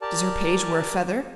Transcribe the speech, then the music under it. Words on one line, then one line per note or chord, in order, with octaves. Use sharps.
Does her page wear a feather?
G4 A#4 D5 A5